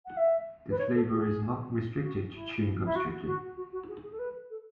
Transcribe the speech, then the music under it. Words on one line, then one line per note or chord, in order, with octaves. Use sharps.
The flavour is not restricted to chewing gums strictly.
F#5
E5
B4
C#5
A4
G#4
F#4
E4
E4
F#4
F#4
F#4
F#4
G#4
G#4
A4
B4
A4